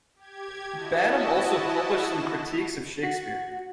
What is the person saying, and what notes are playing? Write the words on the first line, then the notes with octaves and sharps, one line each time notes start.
Badham also published some critiques of Shakespeare.
G4 G#6
E4 F#4 D#5 A5
F#4